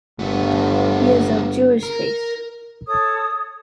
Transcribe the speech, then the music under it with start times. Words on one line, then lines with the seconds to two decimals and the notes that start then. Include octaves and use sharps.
He is of Jewish faith.
0.19 G1 A3 B3
1.83 A#4
2.87 A4 C#5 D#6